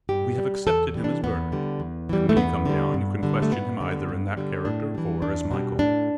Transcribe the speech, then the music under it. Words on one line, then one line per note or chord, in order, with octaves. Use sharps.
We have accepted him as Bernard, and when you come down you can question him either in that character or as Michael.
G2 G4
G3
E2 A4
E3 G3
D4
E2 B3
D3 G3
E2
E3 G3
A3
E2 B3
D3 G3
G2
D3 G3
A3
G2 B3
D3 G3
G2
D3 G3
A2 D4
E3 G3
E2 D4
B2 G3
A2 D4